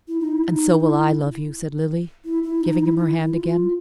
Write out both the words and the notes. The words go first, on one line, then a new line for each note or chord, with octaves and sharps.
"And so will I love you," said Lily, giving him her hand again.
E4
D#4
E4
D#4
D#4
E4
E4
E4
D#4
E4
E4
E4
F4